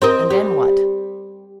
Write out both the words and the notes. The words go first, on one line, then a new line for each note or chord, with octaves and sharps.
"And then what?"
C4 A#4 D#5
G3